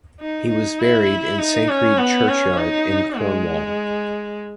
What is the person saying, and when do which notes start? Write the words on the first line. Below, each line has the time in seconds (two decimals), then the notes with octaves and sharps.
He was buried in Sancreed churchyard in Cornwall.
0.20 D#4
0.49 D#4
0.79 E4
1.39 D#4
1.69 C#4
1.98 B3
2.29 C#4
2.58 D#4
3.18 G#3